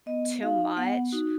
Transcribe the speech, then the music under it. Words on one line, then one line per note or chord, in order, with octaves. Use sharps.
too much
B3 D#5
D#4 F#4 F5
B3 F#5
D#4 F#4